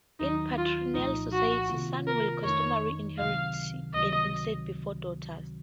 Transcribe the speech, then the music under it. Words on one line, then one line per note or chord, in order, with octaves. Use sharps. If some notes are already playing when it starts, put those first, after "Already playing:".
In patrilineal societies, sons will customarily inherit an estate before daughters.
D#2 D#3 F#3 D#4
F4
C2 A#2 F3 A3 D#4
F#4
C3 D#3 A#3 F4
A#4
F2 D#3 A3 D#4 C#5
C#2 C3 D#3 F#3 F5
C#2 C3 D#3 F#3 D#5